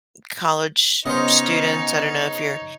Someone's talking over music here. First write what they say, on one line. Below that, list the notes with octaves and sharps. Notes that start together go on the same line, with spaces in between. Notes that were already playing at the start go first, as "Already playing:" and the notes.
college students I don't know if you're,
C#3 B3 C#4 D#4 C5 C#5 D#5